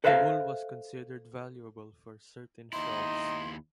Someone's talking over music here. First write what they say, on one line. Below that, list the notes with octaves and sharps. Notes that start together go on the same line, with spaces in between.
The wool was considered valuable for certain shawls.
A4 B4 C5 E5 F5
D#2 D#4 E4 C6